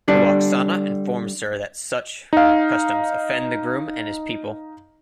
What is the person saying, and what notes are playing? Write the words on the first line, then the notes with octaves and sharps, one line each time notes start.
Lwaxana informs her that such customs offend the groom and his people.
D3 G3 D4
D#4 F5